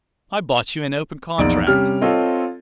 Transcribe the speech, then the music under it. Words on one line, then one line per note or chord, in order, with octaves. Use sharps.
I bought you in open contract.'
A#1 E2 D#4 D5 D7
C3 G3 C#4 F6
C4 F4 A4 C#5 D#5